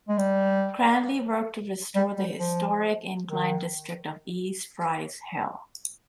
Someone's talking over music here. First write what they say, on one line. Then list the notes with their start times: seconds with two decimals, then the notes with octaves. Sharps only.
Cranley worked to restore the historic Incline District of East Price Hill.
0.09 G#3
0.18 G3
1.95 G3
2.18 G3
2.40 F3
3.29 D#3